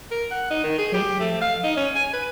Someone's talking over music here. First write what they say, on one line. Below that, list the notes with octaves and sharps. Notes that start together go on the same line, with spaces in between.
They do.
A#4
F#5
D#4
D#3
G#4
G4
A3
F5
D#4
C#4
G#5
B4